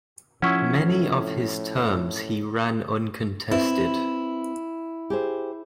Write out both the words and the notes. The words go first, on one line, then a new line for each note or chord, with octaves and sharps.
Many of his terms he ran uncontested.
A2 F3 C#4 E4 F#5 C#6 E6
C4 E4 B4
G4 G#4 C5